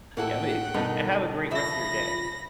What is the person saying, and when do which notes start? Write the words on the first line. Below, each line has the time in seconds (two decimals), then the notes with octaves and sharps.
Yeah, but it g have a great rest of your day.
0.17 A1 A#3 E4 A4 F#5 G5
0.74 G2 B2 D#4 A4 A#4
1.51 C#3 F3 E5 B5 A#6